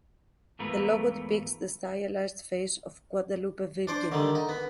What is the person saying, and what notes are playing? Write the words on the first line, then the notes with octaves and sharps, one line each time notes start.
The logo depicts the stylized face of Guadalupe Virgen.
E2 G#2 A3 F4 A#4 B4
D4 C5 D5
D3 D#3 G3
D#4
B3